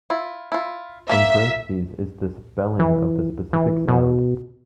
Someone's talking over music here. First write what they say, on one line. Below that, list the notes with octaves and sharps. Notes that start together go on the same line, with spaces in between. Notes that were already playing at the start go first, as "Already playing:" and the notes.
In parentheses is the spelling of the specific sound.
E4 F4
E4 F4
A#3 E5
E3
E3
B2